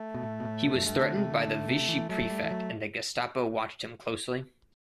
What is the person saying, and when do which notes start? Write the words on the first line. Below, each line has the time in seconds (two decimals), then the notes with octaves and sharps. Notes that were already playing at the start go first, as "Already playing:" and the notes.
He was threatened by the Vichy Prefect, and the Gestapo watched him closely.
Already playing: A3
0.14 B2
0.23 A2
0.40 B2
0.45 A2
0.65 B2
0.75 F#2
0.86 G2 A3
1.01 D3
1.17 C3
1.32 D3
1.47 D3
1.68 C3
1.89 E3
2.09 F#3 A3
2.30 G3
2.43 E3
2.51 F#3